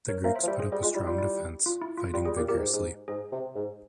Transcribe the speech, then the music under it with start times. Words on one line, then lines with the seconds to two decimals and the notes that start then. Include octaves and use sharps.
The Greeks put up a strong defense, fighting vigorously.
0.08 A#4 C#5
0.24 A#3 C5 E5
0.35 C5 E5
0.43 F3
0.47 G3 C5 E5
0.59 G#4 C5
0.72 G3 G#4
0.83 G#3 F4
0.95 G3 E4
1.07 G3 F4
1.18 E4
1.66 F4
1.82 E4
1.98 F4
2.14 G3 F4
2.25 G3 G#4
2.37 A#2 G4
2.48 A#2 G4 A#4
2.57 G#2
2.73 G#2
3.08 G#2 G#4
3.32 C3
3.55 G#2